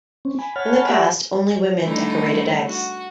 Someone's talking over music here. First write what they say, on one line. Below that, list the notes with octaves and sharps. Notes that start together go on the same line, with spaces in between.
In the past, only women decorated eggs.
C4 C#4
G#5 B5
C#5 F#5 G#5 A5 B5 F6
G4 D5 E5 F#5
D3 G3 A3 D#4 E4
F#4